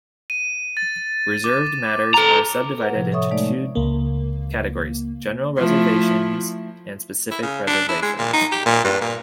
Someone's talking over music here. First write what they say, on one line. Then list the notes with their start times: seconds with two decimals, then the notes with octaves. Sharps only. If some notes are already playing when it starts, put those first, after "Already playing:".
Reserved matters are subdivided into two categories: General reservations and specific reservations.
0.30 D#7
0.77 A6
1.44 D6
2.14 A4 A#5
2.54 D6
2.78 A4 B4 F#5
2.93 A2 C3 F3
3.12 A4 C#5 E5 C#6 D#6
3.31 G#3 A3 D#4 D5
3.75 C#2 A#3
5.57 F3 A3 E4
7.31 E4
7.43 C#3
7.67 D4
7.89 E4
8.02 G#3
8.18 A#2
8.33 D#4
8.52 G4
8.66 A#2
8.84 G2
9.01 A#2